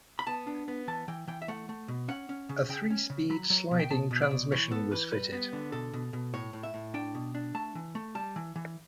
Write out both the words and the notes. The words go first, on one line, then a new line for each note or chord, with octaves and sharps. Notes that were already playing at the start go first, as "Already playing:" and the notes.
A three-speed sliding transmission was fitted.
B5
B3 A5
D4
B3
E3 A5
E3 G5
E3 G5
E5
A3 F#5
A3
B2
C#4 F#5
C#4
C#3
C#3 G5
C#4
C#3
F#3 B5
F#3
B2
G5
B2 A5
B2
D5
B2
E3 C#5
B3 A4
E3 B4
G3 B4
B3
D3
B2 A4
B2
B2
A2 C#5
A2
E5
A2
D4 G5
B2
D4
A3 A5
E3
A3
G3 A5
E3
E3